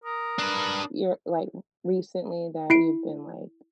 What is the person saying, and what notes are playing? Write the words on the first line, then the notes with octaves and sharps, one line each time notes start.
you're like, recently that you've been, like,
A#4 D#6
D4 B4
E4 C7 D7